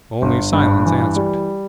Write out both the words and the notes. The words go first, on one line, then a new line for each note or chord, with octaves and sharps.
Only silence answered.
G1
G2
E3
G3